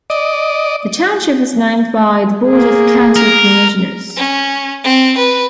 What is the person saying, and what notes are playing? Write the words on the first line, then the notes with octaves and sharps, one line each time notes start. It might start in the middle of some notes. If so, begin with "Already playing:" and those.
The township was named by the board of county commissioners.
D5 D#5
A#3 G#4
A#4
C#4
C4
B4